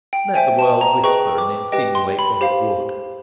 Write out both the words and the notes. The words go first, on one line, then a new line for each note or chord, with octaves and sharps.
Let the world whisper and insinuate what it would.
G5
C5 E5 G5 G#5
A5
A#5
G#4 B4 D#5 G5 C#6
D6
G4 B4 D#5 G5
C6
B5
G4 C5 F5